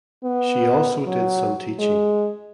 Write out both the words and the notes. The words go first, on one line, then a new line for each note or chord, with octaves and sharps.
She also did some teaching.
B3
F#3
G#3